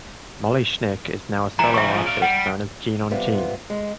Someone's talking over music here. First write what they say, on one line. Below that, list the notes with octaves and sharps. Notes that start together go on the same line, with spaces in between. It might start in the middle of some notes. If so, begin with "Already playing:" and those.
Molly Schnick is now a solo artist known as Jean on Jean.
E3 G3 A#5
E5 C#6
F3 G#3
D5 F5
G3 F#5
C3 G3 B3 F4
G#3